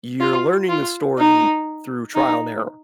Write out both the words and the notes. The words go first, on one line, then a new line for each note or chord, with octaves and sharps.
you're learning the story through trial and error,
F4
F4
D#4
D#4